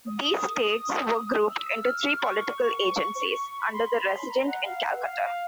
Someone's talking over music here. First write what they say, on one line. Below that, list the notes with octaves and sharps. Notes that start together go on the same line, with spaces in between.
These states were grouped into three political agencies, under the "Resident" in Calcutta.
D#6
E6
F6
C#6
B5
C6
B5
C6
B5
A#5
F#5
F5
F#5
F5